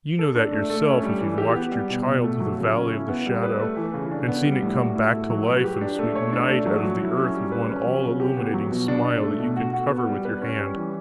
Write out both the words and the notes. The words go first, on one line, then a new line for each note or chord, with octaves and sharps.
You know that yourself, if you've watched your child through the Valley of the Shadow and seen it come back to life and sweep night out of the earth with one all-illuminating smile that you could cover with your hand.
A4
D4
A3
A3
C#4
G3
E3
G4
B3
G3
B2
B2
A3
F#3
C#3
C#4
E4
B3
G3
B4
A3
E3
C#3
D4
B3
G3
A2
F#4
E4
A3
F#3
B4
G4
D4
A3
C#5
D4
A3
F#3
F#3
E4
C#4
G3
B4
C#4
F#3
C#3
G4
B3
F#3
B2
D4
D4
A3
B2
F#4
F#4
B3
G3
B4
C#4
G3
E3